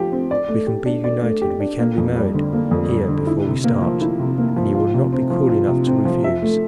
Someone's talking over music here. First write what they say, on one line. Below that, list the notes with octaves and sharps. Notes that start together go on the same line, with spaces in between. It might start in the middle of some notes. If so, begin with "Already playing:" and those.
We can be united--we can be married--here before we start--and you will not be cruel enough to refuse.
Already playing: F3 G4
C4
D5
A3
G4
D4
D5
A3
G4
D4
A#3
F2
G3
D3
A#3
F2
G3
D3
E4
C3
A#3
F3
E4
C3
A#3
F3
F4
C3
C4
F3
F4
C3
C4
F3
E5
A3